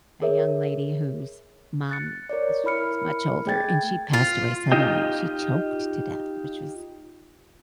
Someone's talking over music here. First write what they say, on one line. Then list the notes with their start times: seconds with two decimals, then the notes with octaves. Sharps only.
a young lady whose mom is much older and she passed away suddenly. She choked to death, which was
0.22 G#4 A#4 C#5 E5
1.89 F#6 A6 C#7
2.29 A#4 C#5 D5
2.64 E4 A#4 B5 F6 C#7
3.46 A3 G#4 G5 G#6 A6
4.13 F4
4.72 D#4 F4 G4 D#5 G5